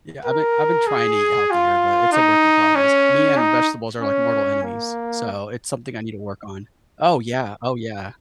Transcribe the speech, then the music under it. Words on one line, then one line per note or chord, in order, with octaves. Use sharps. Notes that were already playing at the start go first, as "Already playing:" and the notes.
Yeah, I've been I've been trying to eat healthier, but it's a work in progress. Me and vegetables are like mortal enemies, so it's something I need to work on. Oh, yeah, oh, yeah.
A#4
G#4
F4
D#4
C#4
D#4
C#4
A#3